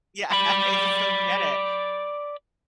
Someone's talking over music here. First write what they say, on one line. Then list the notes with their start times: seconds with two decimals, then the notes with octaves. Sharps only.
Yeah, I just don't get it.
0.33 D5 B5